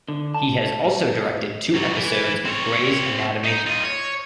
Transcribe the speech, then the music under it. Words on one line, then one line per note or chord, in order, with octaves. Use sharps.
He has also directed two episodes of "Grey's Anatomy".
D3
A5
G#2 F#3
E3
C4 C#5
D#4
F4 D#5
C#5